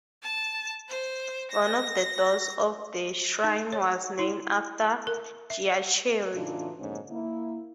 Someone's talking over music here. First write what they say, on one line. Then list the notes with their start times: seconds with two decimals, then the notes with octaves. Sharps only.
One of the doors of the Shrine was named after Giachery.
0.23 A5
0.89 C5
1.51 A#6
3.44 D#4
3.73 C#5
4.19 E4
5.07 A#4
5.50 E5
6.35 A2 C#3 E3 D4 D#4 F4
6.79 F2 G#2 B2 D3 A#3 C#4
7.10 A#3 E4